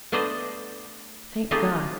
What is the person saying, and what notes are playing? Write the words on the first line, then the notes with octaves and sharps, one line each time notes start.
"Thank God!"
A3 B3 D4 C5 D5 D#5
A3 C4 D#4 F4 G4 G#4